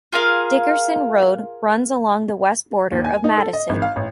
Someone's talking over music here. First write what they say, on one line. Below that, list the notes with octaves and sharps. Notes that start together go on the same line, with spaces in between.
Dickerson Road runs along the west border of Madison.
F4 G#4 A#4 F5
D#2
G#5
D#4
A4
D#5
G#1
F5
A1